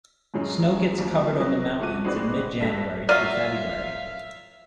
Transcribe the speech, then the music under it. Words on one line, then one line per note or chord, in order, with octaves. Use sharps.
Snow gets covered on the mountains in mid January through February.
F#2 A2 F#3 G#3 C#4
D#2 F3 G3
F#3 F#4
F3 A3 F#4 D6 D#7
G#3 C4 D#4 F#4 B4 D5
G2 A4 A#6 B6
F#3 F4 D5 E5 F5 F6 D#7